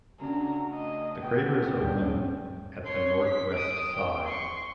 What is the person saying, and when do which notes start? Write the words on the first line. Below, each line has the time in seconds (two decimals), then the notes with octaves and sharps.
The crater is open at the northwest side.
0.21 C#3 A3 D4 F#4 A#5
0.74 D#5
1.22 B3 G5
1.78 D#1 D2 G2 G5 G6
2.85 C#5 C6
3.26 B6
3.55 D#6 D7
3.93 G5
4.25 C6 C#6